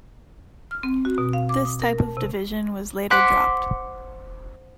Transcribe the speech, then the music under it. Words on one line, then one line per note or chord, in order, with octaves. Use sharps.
This type of division was later dropped.
F6
C4
F#4
B2
F5
D6
D#6
A#4
A5
C3
C5 F#5 C6 D6 F#6 B6